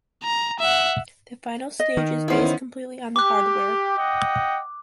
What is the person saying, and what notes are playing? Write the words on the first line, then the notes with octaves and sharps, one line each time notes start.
The final stage is based completely on the hardware.
A#5
E5 F#5
D#5
D#3
E3 B3 C#4 E4 C5
G4 D6 F#6
D#5 F#5 G5